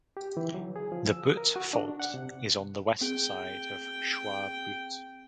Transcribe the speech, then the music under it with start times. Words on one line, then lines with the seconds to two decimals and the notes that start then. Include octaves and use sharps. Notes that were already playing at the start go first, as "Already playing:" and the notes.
The Butte Fault is on the west side of Chuar Butte.
0.17 G4
0.37 E3
0.54 F#3
0.76 G#4
0.92 F3
1.11 E6
1.25 D#6
1.37 A#4
1.56 F#4
1.73 D4
2.00 F#5
2.14 C3
3.01 C4 G#4 G5